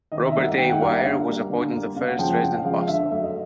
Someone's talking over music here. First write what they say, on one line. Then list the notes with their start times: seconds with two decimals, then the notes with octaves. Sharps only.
Robert A. Weir was appointed the first resident pastor.
0.12 D#3 D#5
0.27 E5
0.35 G3 A#3
0.42 F#5
0.57 D#3 G5
0.69 F#5
0.80 G3 A#3 F5
0.92 E5
1.03 D3 F5
1.27 G3 A#3
1.50 D3
1.73 G3 A#3
1.97 C#3 F5
2.08 F#5
2.19 F3 G#3 G5
2.30 G5
2.42 C#3 F#5
2.53 F5
2.65 F3 G#3 F5
2.77 F5
2.88 D3 E5
3.11 F#3 A3 E5
3.22 D#5